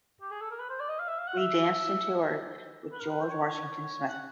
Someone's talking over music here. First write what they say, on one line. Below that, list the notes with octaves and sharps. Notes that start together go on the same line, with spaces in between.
Lee danced and toured with George Washington Smith.
G4
G#4
A4
A#4
B4
C5
D5
D#5
F5
E5
F5
F#5
E5
B4
A#4
B4
C5
C#5
F#5